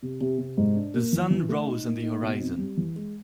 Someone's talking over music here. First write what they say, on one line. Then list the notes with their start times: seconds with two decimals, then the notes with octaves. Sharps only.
The sun rose on the horizon.
0.02 C3
0.21 C3
0.38 C3
0.57 G#2
0.76 D4
0.94 A#3
1.13 E3
1.30 E3
1.49 A3
1.67 D#4
1.85 A#3
2.03 D#4
2.22 B2
2.41 C4
2.58 G3
2.77 E3
2.96 G#3